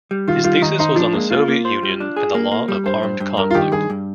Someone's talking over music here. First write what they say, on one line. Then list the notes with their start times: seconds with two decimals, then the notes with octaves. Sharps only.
His thesis was on the Soviet Union and the law of armed conflict.
0.11 G3
0.28 D#3 F4
0.44 G3 F4
0.62 D#3 D#4
0.79 D#4 C5
0.96 F3 D4
1.13 G#3 A#3
1.30 A#3 F4
1.48 A#3
1.65 C5
1.83 G3
2.00 D4
2.16 G#4
2.35 A#3
2.51 A#3
2.68 G3
2.86 G2 C5
3.03 G2
3.20 G2
3.37 G2 A#4
3.51 F4
3.54 D#3 G4
3.72 G2 G#4
3.90 G2